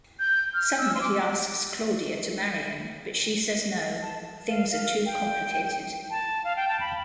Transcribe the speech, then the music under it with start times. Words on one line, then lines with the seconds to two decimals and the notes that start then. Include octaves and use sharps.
Suddenly he asks Claudia to marry him, but she says no-things are too complicated.
0.19 G6
0.54 F6
0.78 E6
0.95 C6
1.01 D6
4.02 A5
4.49 F5
4.71 F5
5.06 G5
6.10 A5
6.44 F5
6.56 G5
6.69 A5
6.80 B5